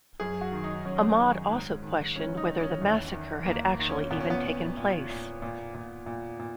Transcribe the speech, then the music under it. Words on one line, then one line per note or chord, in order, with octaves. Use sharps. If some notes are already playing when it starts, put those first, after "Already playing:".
Ahmad also questioned whether the massacre had actually even taken place.
F#2 G#4
F#4
D#3
D#4
F#2 C#4
D#3
G#2
D#3
G#2 C#4
D#4
D#3
C#4
E2
D#3
E2 A#3
D#3
C#4
A#2 B3
C#4
B3
A#2
A#2
A#2
A#2
A#2
A#2
A#2